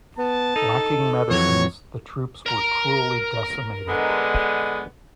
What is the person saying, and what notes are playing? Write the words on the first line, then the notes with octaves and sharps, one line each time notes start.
Lacking medicines, the troops were cruelly decimated.
B3 A5
D#4 A4
F2 E3 F#3 C#5
A#4 A#5
D3 G#3 B3